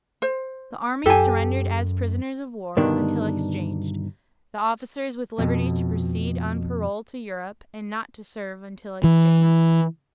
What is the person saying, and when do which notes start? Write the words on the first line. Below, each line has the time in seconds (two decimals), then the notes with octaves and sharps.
The army surrendered as prisoners of war until exchanged, the officers with liberty to proceed on parole to Europe and not to serve until exchanged.
0.22 C5
1.06 F#2 G4 A4 G#5 A5
2.77 G2 B2 D3 D#3 D4
5.38 F2 B2
9.04 E3